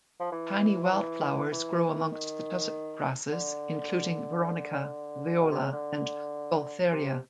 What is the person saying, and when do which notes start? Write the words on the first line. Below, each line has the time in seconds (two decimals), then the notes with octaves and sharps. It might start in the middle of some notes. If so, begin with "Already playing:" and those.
Tiny wildflowers grow amongst the tussock grasses including "Veronica", "Viola" and "Gaultheria".
0.20 F3
0.32 E3
0.84 F3
0.92 E3
1.52 E3
2.12 D#3
3.32 D3
5.41 B2
5.51 C3
5.62 C#3
5.72 D3
6.92 C3